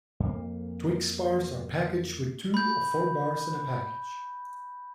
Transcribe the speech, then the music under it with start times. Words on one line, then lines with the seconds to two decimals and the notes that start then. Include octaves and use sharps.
Twix bars are packaged with two or four bars in a package.
0.20 F2 A#3
2.54 B5 G6